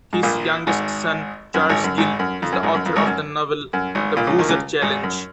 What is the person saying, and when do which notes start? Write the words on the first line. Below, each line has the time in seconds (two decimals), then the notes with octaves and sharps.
His youngest son, Charles Gill, is the author of the novel The Boozer Challenge.
0.13 G#2
0.23 A#1 A#2
0.67 G#1 G#2
1.54 F#2
1.69 G#1 G#2
1.84 F#2
1.98 G#1 G#2
2.19 F#2
2.42 F2
2.52 F#2
2.63 G#1 G#2
2.74 F#2
2.86 F2
2.96 G#1 G#2
3.07 F#2
3.73 F#2
3.95 G#1 G#2
4.16 A#1 A#2
4.27 C#2 C#3
4.38 D#2 D#3
4.49 C#2 C#3
4.82 G#1 G#2
5.03 F#2